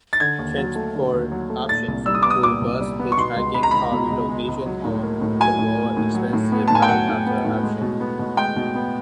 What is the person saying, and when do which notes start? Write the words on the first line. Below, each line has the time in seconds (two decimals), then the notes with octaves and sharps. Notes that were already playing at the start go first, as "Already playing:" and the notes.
Transport options include bus, hitchhiking, car relocation or the more expensive helicopter option.
0.13 A6
0.20 D3 G#6
0.38 D#2
0.57 F#3
0.75 A3
0.95 D3
1.13 D#2
1.31 F#3
1.50 A3
1.69 A#2 A6
1.88 C2
2.06 G3 E6
2.15 D#6
2.22 B3 D6
2.30 D#6
2.43 A#2 D6
2.61 C2
2.81 G3
2.99 B3
3.12 C#6
3.18 B2 C6
3.36 C#2
3.54 G#3 B5
3.63 A#5
3.71 C#2 B5
3.91 B2
4.10 C#2
4.29 G#3
4.48 C#2
4.66 F#3
4.84 A2
5.03 A#3
5.21 A2
5.40 F#3 G#5
5.59 A2
5.77 A#3
5.97 A2
6.15 F#3
6.33 A2
6.52 B3
6.68 A5
6.70 A2 G#5
6.82 G5
6.89 F#3 F#5
7.08 A2
7.26 B3
7.45 A2
7.63 G#3
7.81 B2
8.00 B3
8.19 B2
8.37 G#3 G5
8.56 B2
8.75 B3